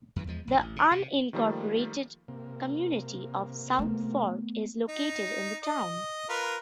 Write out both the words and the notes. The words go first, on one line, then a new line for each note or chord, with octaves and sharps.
The unincorporated community of South Fork is located in the town.
F#2 E3
E2 F3 G#3
A#1 D#3
A1
C3
C3
D#3 F3 G3 A3 A#3 F4
C3 A#3
A3 B3
D#4
D#5
F4 A#4 B4